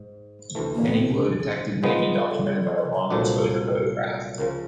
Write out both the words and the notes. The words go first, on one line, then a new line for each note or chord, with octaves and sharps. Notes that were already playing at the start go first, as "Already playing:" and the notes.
Any glow detected may be documented by a long-exposure photograph.
Already playing: G#2
D2 C3 E3 A3
A#3
B3
C4
C#4
D4
G#4
C#3 F3 G#3 B3 A#4
B4
A#4
A4
G#4
A4
B4
C#5
C2 A#2 F#3 A3 D4 C5
C#2 C#3 F3 A#4